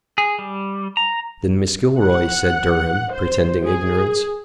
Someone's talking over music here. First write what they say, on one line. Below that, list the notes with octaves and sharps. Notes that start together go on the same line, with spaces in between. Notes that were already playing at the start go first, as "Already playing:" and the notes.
"Then Mrs. Gilroy," said Durham, pretending ignorance.
G#4
G3
A#5
F#5
C5
G#4